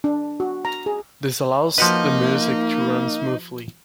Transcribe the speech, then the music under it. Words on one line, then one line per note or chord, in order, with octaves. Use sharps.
This allows the music to run smoothly.
D4
F#4
A#5
G#4
F3 A#3 D#4 F#4 B4